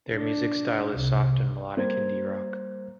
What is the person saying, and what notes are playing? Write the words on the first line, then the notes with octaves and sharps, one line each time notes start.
Their music style is soft and melodic indie rock.
D4
C2
G3 A#3 C5 G#6